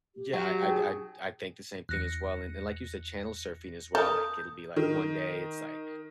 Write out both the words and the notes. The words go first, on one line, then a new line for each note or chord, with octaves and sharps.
Yeah, I'd I'd I'd think the same thing as well, and like you said, channel surfing as well, like, it'll be, like, one day it's, like,
G4
F#3 F#5
C#4 D#4 G#4 C#5
E2 F#6 A#6 C#7
A4 A#4 D#6 G6
D#3